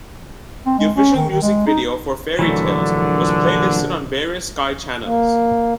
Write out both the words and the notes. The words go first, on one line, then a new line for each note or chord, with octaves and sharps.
The official music video for 'Fairytales' was play listed on various Sky Channels.
C4
G#3
C#4
D#3
D#3
G#3
D#4
A#1 D3 E3 F#3 A3
A#3